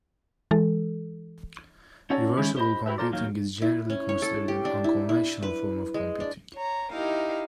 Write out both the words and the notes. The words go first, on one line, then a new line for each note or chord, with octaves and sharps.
Reversible computing is generally considered an unconventional form of computing.
E3 G#3 A4
C#4 D#4 F#4 A4 C#5 D5
D#3 G#3 C#4 E4
G4 C5 D5 D#5 B5
E4 F#4 G4 B4 E5
F4 A4 A#4 C5 D5
D#2 D#3 F#3 F5
E4
C#4
C#5
A4
G4
D4
E4
E4
B4
G#3
D4
C#5 A#5
D#4 E4 G4 A#4 F5